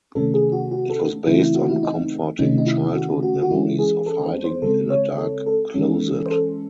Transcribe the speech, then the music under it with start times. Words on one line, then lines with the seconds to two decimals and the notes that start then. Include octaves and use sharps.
It was based on comforting childhood memories of hiding in a dark closet.
0.15 C3 D#3 A3 C#4 A4
0.34 G#4
0.52 F#4
0.71 F#4
0.90 A4
1.27 C#3 E3 A3 C4 E4
1.41 E4
1.55 F#4
1.69 E4
1.83 D#4
2.39 C3 D#3 A3 C#4 D#4
2.58 D#4
2.67 E4
2.94 F#4
3.23 F#4
3.42 F#4
3.50 E3 G#3 C#4 E4
3.79 G#4
4.06 A4
4.25 C5
4.44 C5
4.62 C#3 G#3 C4 A4
4.90 C#5
5.18 A4
5.46 A4
5.74 E3 G#3 C#4
6.26 C5
6.30 A4